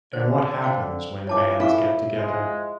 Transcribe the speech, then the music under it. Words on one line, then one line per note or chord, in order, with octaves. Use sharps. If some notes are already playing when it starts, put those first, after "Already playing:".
And what happens when bands get together?
D3 C5
C5 F5 G5
F#2 E3 F3 C#5 A5 D6
E4 A4 F5 C#6
F3 G#3